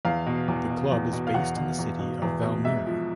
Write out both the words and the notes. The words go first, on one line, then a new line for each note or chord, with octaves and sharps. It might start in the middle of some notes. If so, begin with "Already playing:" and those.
The club is based in the city of Valmiera.
E2 F5
B2
E2
B2
E2
B2
F5
E2 F#5
B2
E2
B2
E2
B2
G#2 E5
F3